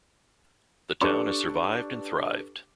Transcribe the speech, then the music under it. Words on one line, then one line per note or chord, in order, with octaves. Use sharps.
The town has survived and thrived.
D4 G4 A4 B4 C#6 D6